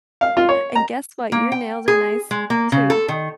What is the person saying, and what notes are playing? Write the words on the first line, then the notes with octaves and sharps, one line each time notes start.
And guess what? Your nails are nice, too.
F5
F4
C#5
A#5
A#3
G5
G#4
G#3
A#3
C#3
A4
D#3